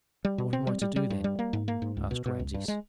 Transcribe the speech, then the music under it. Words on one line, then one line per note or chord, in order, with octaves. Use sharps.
"What am I to do, then?" asked Rameses.
G3
B2
C4
G3
G3
G3
G2
G3
A#3
G#2
A#3
G#2
C#2
B2
B2
C#2
G2
G#3